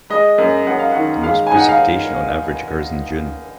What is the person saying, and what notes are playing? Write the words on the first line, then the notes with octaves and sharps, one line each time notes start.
The most precipitation on average occurs in June.
G#3 D#5
F#2
F#2 F#5
F5
D#3 F#5
G#3 F5
D#4 G#5
F#5
F5